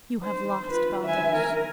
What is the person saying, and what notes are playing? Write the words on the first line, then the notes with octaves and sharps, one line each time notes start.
You have lost Baldos.
C5
F4 B4
E5 G#5
A#4